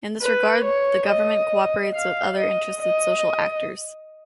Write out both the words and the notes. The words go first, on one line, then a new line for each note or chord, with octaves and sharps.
In this regard, the government cooperates with other interested social actors.
B4
C#5
D#5
F5
D#5
D#5